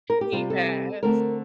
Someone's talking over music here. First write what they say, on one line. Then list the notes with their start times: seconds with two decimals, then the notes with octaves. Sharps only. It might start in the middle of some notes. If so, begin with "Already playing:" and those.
he passed.
0.10 A#4
0.21 G4
0.32 C3 G3 C4 F4
0.50 A4
1.03 D3 A3 C4 A#4